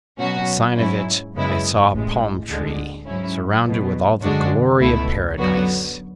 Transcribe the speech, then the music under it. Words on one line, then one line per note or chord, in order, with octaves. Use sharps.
In sign of it I saw a palm-tree, surrounded with all the glory of paradise.
B2 F#3 C#4 F#4
G#2 F#3 C#4 E4
F#2 C#3 G#3 B3 E4
A1 A2 G#3
D2 D3 G#3
G#2 F#3 C#4 E4
E2 B2 F#3
F#2 D3 G#3 D4 F#4
C#2 B2 A3 E4
F#2 D3 F#3 B3 F#4